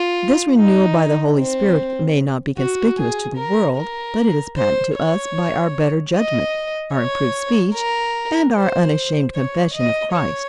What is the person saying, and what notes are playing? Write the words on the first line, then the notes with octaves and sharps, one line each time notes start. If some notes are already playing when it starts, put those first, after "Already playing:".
This renewal by the Holy Spirit may not be conspicuous to the world, but it is patent to us by our better judgment, our improved speech, and our unashamed confession of Christ.
Already playing: F4
D#4
C4
F#4
G#4
A#4
A#4
C5
C#5
D#5
C#5
A#4
C5
C#5
D#5
C#5